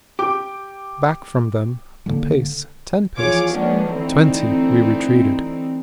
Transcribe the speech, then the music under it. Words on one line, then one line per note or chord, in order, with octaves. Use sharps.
Back from them, a pace, ten paces, twenty, we retreated.
G4 G5 D6
D1 G1 D3 G3 A#3
E2 F3 F4 G#4 C#5 D6
F3 G#3 A#3 B3 C#4 D4
D3 E3 A3 C4 D#4 E4